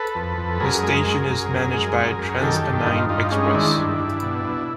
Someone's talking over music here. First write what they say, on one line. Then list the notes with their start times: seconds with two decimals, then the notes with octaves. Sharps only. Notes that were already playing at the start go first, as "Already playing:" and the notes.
The station is managed by TransPennine Express.
Already playing: A4 B4
0.15 F2
0.38 F2
0.60 F#2 G#4 A#4
0.83 G#3
1.06 F#2
1.28 F#2
1.51 F#2
1.73 G#3
1.96 F#2
2.19 F#2
2.41 D#3 G4 A4
2.64 G2
2.86 G2 D#4 F4
3.09 G2 D#4 F4
3.31 G#3 C#4 D#4
3.54 D#3 D4 E4
3.77 G2
3.99 G2
4.22 B2
4.45 B2